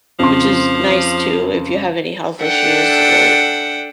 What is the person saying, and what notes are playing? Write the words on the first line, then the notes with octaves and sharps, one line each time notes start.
Which is nice, too, if you have any health issues. It
F2 C#3 F3 C6
D4 A4 E5 F#5 G5